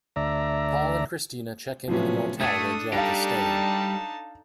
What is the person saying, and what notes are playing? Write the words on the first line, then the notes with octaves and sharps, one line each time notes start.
Paul and Cristina check into the motel where Jack is staying.
D2 D5 E5 A#5
A2 C3 F3 F#3 B3 C#4
A3 D4 A4 D#6 G#6 A6
G3 D#4 G4 F5 A5 A#6